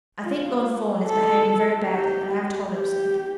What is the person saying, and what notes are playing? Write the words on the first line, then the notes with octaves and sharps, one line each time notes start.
I think Lord Fawn is behaving very badly, and I have told him so.
F4
A4
G4
G4